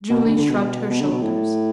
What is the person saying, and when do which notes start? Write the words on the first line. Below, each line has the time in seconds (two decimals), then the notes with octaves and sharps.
Julie shrugged her shoulders.
0.10 B2
0.25 D3
0.38 D3
0.50 B2
0.90 B2
1.01 D3
1.12 B2
1.22 A2